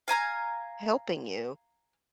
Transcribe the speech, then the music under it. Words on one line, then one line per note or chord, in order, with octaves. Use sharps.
helping you.
F5 G#5 A#5 F6